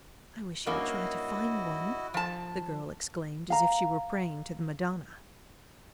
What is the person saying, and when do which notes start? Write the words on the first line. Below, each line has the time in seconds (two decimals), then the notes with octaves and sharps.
"I wish you would try to find one," the girl exclaimed as if she were praying to the Madonna.
0.66 G2 A#3 C#4 E4 F#4 D#5
2.14 F3 A5
3.50 F5 A#5